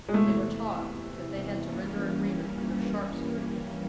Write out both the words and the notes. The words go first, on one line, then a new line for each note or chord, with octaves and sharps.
They were taught that they had to render agreement under sharp scrutiny.
G#3
E2 C3 E3 A3
G2 E3 G3 A#3 C#4